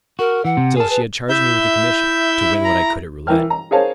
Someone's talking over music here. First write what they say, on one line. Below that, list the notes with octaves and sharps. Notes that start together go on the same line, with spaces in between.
Still, she had charged me with a commission--to win what I could at roulette.
F#4 A#4
E3 F#5
C3
G#4 A#4 A5
B4
E4 E5 G6
A#5
E3 A#4 G5 F6
A#5
G#4 A#4 C5 C#5 F5 A5